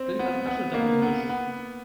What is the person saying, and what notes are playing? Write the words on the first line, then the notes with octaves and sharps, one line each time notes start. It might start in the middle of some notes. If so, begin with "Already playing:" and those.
Irgendetwas raschelt da im Gebüsch.
Already playing: C4
B3
B3
A#3
B3
B3